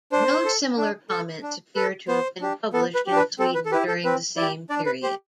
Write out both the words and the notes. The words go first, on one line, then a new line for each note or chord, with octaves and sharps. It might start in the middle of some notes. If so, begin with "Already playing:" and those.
No similar comments appear to have been published in Sweden during the same period.
D4 C5
A4
D4
A4
D4
A4 B4
B3 C5
D4 G4
B3 A4
B4
D4 G4
B4
C4 A4
B4
A4
E4 G4 B4
A4
C4 B4
E4 G4 D5
D4 D5
B4
G4 C5